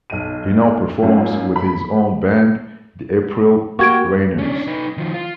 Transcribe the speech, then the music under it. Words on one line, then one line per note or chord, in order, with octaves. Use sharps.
He now performs with his own band The April Rainers.
B1 D#7
G#1 F#2 A#2
B5
A#3 F#4 G4 C#6 G#6 D7
C#4 D4
D#4 B4
D#3 F3
F4